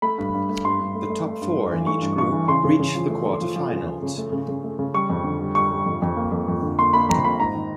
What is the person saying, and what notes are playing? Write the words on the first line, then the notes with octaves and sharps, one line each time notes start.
The top four in each group reach the quarter-finals.
A3 B5
G2
G2
A3
G2 C6
G2
A3
A3
A3
G2
A3
E3
A3 C#6
G2
G2 C#6
E3
C#3 C6
C#3
C#3
F3
A3
A3
F3
F3
C#3
F3
C#3
A3
C#3
C#3
A3
C#3
G3 C#6
F2
D3
G3
G3 C#6
G3
F2
F2
A#3
F2
F2
D3
A#3 C6
A#3 B5
F2 A#5
A#3 B5
G#2 A#5
D#3